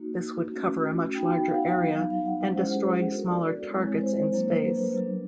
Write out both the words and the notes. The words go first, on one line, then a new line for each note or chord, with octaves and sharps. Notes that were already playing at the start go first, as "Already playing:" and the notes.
This would cover a much larger area, and destroy smaller targets in space.
Already playing: A#3 D#4 F#4
A3 C#4 F#4
B3 D#4 F#4 G5
F5
F#5
F5
F#3 B3 D#4
F5
F#5
G#3 C#4 E4 F#5
C5
G4
G#4
B3 D4 F#4 A4
A#4
D5
G#3 C4 E4 C#5
C5
F#3 A#3 D4
B4
A#4
F#3 B3 D4